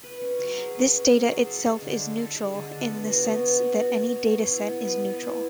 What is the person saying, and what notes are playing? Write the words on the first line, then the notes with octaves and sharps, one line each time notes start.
This data itself is "neutral" in the sense that any dataset is neutral.
B4
C#4
F#3
G#4
B4
C#4
F#3
G#4
A4
G#3
D3
D4
A4
G#3
D3
D4
B3
F#4
B3
C#5
B3
F#4
B3
C#5
B3
E4
B3
B4
B3
E4